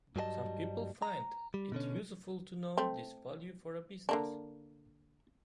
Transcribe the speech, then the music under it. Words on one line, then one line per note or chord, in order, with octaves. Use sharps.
Some people find it useful to know this value for a business.
G2 F#3 G3 G#4 D#5 A5
A#5
G3
B2 D3 C#4
A3 C4
D3 A#3 D4